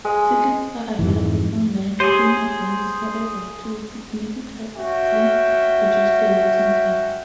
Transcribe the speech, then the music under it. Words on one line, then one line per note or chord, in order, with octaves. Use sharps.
Tickets are available on-line in advance, however, to significantly reduce the waiting time.
G#3
F2 G#2 E3
G4 G#4 C5 C#5 D#7
C#4 F#4 E5 G5